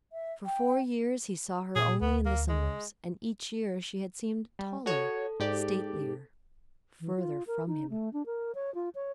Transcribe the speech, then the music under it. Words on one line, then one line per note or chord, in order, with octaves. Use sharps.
For four years he saw her only in the summers, and each year she had seemed taller, statelier, further from him.
E5
G5
A#2 G#4
D2 B3
A#3
G#3
G3
F#4 A4 C#5
G#2 G4 D5
E3
F4
A#4
D#4
A3
D4
A#4
C#5
F4
C#5